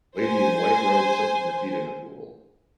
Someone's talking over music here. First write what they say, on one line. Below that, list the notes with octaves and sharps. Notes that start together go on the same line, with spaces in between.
Lady in white robe soaking her feet in a pool.
C5 G#5